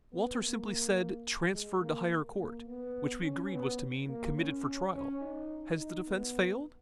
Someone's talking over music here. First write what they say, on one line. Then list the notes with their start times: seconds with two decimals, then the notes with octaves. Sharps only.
Walter simply said 'Transferred to higher court,' which we agreed was to mean, 'Committed for trial.' Has the defence failed?
0.12 B3
0.39 A#3
1.54 G#3
1.81 A#3
2.39 A#3
2.67 B3
3.23 C#4
3.52 B3
4.09 A#3
4.37 C#4
4.94 C#4
5.21 D#4
5.78 D#4
6.07 B3